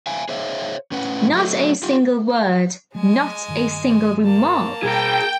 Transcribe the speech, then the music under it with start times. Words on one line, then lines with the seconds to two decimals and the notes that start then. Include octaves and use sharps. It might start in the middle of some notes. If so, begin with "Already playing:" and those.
Not a single word, not a single remark!
0.07 E5 F5 G#5
0.29 G#4 C5 C#5 E5 F5
0.91 A2 C#4 B4 F#5
1.33 F#3 A3
1.83 F4 G4
2.95 F#3 G#3 A3 G#5
3.48 G2 D#3
4.25 A#3 A5
4.83 B2 G3 G#4 A#4 G5